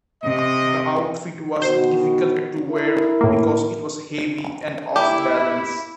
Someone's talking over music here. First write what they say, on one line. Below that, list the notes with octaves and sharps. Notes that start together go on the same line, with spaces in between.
The outfit was difficult to wear because it was heavy and off-balance.
C3 D#5
B2 D#3 F#4 C5
E4 A#4
A2 A#3
A#3 E4 G4